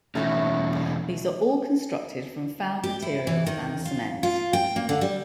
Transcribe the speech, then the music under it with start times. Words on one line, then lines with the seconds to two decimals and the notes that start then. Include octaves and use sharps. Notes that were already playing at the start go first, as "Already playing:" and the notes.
These are all constructed from found materials and cement.
0.15 B2 E3 A3 C#4 D#4 F#4
2.84 G4
3.02 E4
3.27 E3
3.46 D#3
3.85 F4
4.23 F4
4.53 G5
4.76 A#3
4.89 D3
5.01 G3